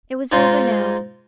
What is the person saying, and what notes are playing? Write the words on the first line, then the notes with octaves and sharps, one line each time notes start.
It was over now.
G#2 G#3 D#4 F4 C6